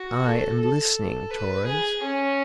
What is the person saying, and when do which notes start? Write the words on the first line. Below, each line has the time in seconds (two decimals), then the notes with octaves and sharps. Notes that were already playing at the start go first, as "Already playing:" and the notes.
"I am listening, Torres."
Already playing: F#4
0.24 A4
0.60 A4
1.31 B4
1.66 G#4
2.02 C#4